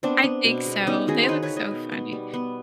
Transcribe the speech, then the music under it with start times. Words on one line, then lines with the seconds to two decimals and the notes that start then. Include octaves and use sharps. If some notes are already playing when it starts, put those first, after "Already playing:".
I think so, they look so funny.
0.03 B3 C4 D4
0.24 B3
0.44 B2
0.66 G#3
0.87 B3 C#4 D#4
1.07 D#3 F#4 G#4
1.23 C5
1.28 D#3 B4 C#5
1.43 B4 C#5
1.50 D#3
1.56 C#5 D#5
1.71 B2
1.92 B3
2.13 G3
2.33 B3